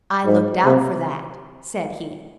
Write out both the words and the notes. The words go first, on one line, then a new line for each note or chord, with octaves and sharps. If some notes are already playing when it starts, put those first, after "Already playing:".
"I looked out for that," said he.
G#2
C3